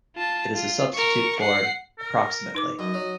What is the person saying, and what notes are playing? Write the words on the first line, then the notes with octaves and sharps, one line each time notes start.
It is a substitute for "approximately".
F4 A5
F4
A#4 C#6
F#5 C7
A#4
D#4 B4 D6
F#2 D#5
F#3